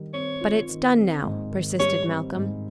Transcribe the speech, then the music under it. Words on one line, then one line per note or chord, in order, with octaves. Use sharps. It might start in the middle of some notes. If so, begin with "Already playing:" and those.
"But it's done now," persisted Malcolm.
Already playing: D#3 G3
C4 C#5
F4
D#3
C4
G#2
D#3
G3 C#5
C4
G#2